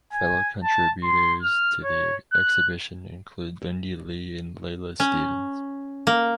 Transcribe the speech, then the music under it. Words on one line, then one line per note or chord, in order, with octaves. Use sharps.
Fellow contributors to the exhibition include Lindy Lee and Leyla Stevens.
G#5
A5
C6
F6
C#5
F#6
C#4
A#3